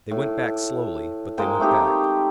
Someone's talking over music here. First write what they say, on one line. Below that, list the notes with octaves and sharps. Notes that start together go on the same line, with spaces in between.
They went back slowly, but they went back.
A2
G#3 A#3 C5 G5
A3 C4 D#4 G4